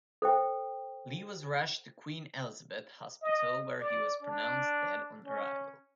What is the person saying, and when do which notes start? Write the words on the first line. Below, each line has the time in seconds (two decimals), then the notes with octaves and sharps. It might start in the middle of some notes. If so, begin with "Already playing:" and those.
Lee was rushed to Queen Elizabeth Hospital where he was pronounced dead on arrival.
0.22 A4 C5 G5
3.23 D#5
3.81 D5
4.22 D4
5.26 C#4